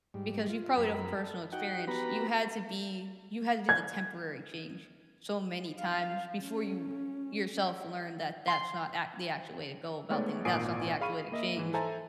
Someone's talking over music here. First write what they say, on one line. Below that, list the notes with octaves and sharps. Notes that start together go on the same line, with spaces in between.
because you probably know from personal experience you had to be you had to do the temporary change so many times, before you yourself learned that that's not act the actual way to go about things, that's not the actual way to change.
G#2 G3
F4
F#2 A#4 B5
A4
D#4 F#4 F#5 G5
B3 F#4 G4 B4 A#5 B5
G#6
F5
C#4
C6
G#3 A3 B3 D#4 C#5 D5
G#1 A#2 G#5 D#6 C7 D7
G#4 F5 B5 C#6 D#7
A#3 D#5 E5
G#2 E3
A4 C5 E5 G#5 A#5 A6